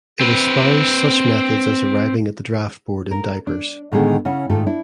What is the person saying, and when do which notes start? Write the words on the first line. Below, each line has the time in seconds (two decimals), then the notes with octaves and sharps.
It espoused such methods as arriving at the draft board in diapers.
0.21 C4 B4
3.11 A#4
3.47 D4
3.92 A2 D3 D#3 G#3 B3 G#4
4.25 C#3 C#4 E4 F#5
4.49 G#2 D#3 A3 F4 A4
4.66 D4 E4